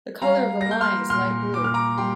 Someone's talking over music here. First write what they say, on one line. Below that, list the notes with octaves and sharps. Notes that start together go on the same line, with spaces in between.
The color of the line is light blue.
G3 F5 A#5
A#3 A#6
G6
C6 F6
A#2 C6 F6
A#2 D6
F6
A#5 D6
G3 G5 C6